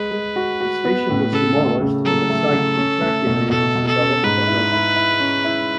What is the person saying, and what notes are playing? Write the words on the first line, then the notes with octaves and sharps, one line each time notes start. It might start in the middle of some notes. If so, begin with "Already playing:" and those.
The station was demolished and the site and track area was developed for housing.
Already playing: G#3 B4
G#3
F#4
F#4
B3
A2
C#3 A4
A3
C#3
F#3 A4
A3
C#3
C#4
A3
B2
B2 A4
B2
A4
C#4
G#2 B4
E4
E4
E4
C#4
E4